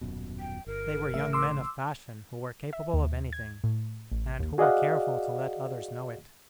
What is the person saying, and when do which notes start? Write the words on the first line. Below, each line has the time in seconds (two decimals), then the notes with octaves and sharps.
They were young men of fashion who were capable of anything, and who were careful to let others know it.
0.01 D#1 F#2 B2
0.40 G5
0.66 G1 A#4
1.14 A1 C#3 A3 E5
1.33 C6 D6 E6
2.73 E5
2.93 D#2
3.33 G#6
3.64 A2
4.12 A1
4.40 D#2
4.58 F#4 G#4 D5 D#5 F5 F#5